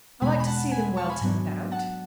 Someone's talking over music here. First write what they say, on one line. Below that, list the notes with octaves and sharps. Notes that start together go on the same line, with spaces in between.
"I like to see them well turned out."
E2 B2 G#3 B3 G#5 B5
B5
F#5 A5
G#5 B5
A5 C#6
G#5 B5
G#2 F#3 B3 D4
F#5 A5